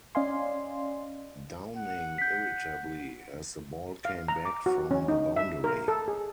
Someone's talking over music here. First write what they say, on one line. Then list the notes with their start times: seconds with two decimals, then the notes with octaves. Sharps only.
Downing irritably, as the ball came back from the boundary.
0.15 C#4 D5 D#5 F5 G#5 C6
1.76 F#5
2.18 G6 B6
4.05 F5
4.28 A#5
4.45 D6
4.66 F#4
4.91 C#4
5.08 D#4
5.36 E5
5.64 A#4
5.88 A4
6.08 G#4